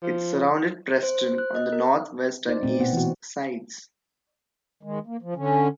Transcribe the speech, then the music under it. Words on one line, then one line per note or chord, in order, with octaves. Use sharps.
It surrounded Preston on the north, west and east sides.
F3
C5
C5
F#6
D#5
A#4
D#4 C5 D5
A#2 A3 C4
B2 B3 F#5
E3 F#4
D#3 G#3
A#3
F3
D3 C#4